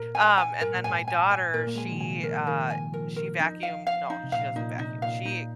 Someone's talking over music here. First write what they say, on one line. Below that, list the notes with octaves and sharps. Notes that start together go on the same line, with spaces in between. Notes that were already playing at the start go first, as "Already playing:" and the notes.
um, and then my daughter, she, uh, she vacuum no, she doesn't vacuum, she
Already playing: A#2 A#4
G#5
G#5
G#2 A#4
A#2
G#2 G#5
G#5
G#5
A#2 A#4
A#3
G#3 G#5
F3
D#3
C3 G#5
A#4
D#3 A#4
G#5
F3 A#4
A#4
D#4
F5
F5
D#4
C3
A#2 F5
A#2 D#4
C3 D#4
A#2 F5
A#2 D#4